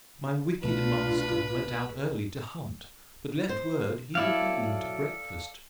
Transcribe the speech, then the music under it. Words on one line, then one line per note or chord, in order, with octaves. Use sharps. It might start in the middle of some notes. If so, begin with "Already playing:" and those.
My wicked master went out early to hunt; but left word he would be in to breakfast.
C2 B2 A3 D4 F4 B4
C5
F#3 E4 A4 D5 F5